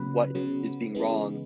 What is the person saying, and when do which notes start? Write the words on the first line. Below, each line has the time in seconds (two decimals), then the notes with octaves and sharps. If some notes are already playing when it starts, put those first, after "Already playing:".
what is being wrong.
Already playing: C#3 F#3 B3 B4
0.35 C#3 F#3 B3
0.95 C#3 E3 G#3 B3